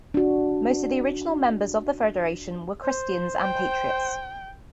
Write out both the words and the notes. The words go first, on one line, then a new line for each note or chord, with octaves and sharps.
Most of the original members of the federation were Christians and patriots.
D4 F#4
C5
G5